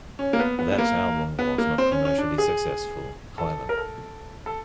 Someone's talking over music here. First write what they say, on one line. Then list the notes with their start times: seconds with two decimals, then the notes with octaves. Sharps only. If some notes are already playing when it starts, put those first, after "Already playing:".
That album was not commercially successful, however.
0.19 C#4
0.33 A#3
0.39 B3
0.59 B3
0.72 B3
0.78 A#3
1.39 B3
1.58 A#3
1.78 C4
1.92 C#4
2.05 C#4
2.18 D4
2.38 G#4
3.38 A4
3.69 A#4
3.78 A4
4.46 A4